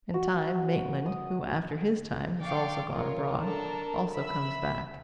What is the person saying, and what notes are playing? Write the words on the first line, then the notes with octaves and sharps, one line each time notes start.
In time, Maitland, who, after his time, has also gone abroad, also comes back.
F#4
D#6
D5 F5 G5 C#6 D6
F4 A#4 C#5
D4 A4 A#4 A5 A#5
E5 B5 E6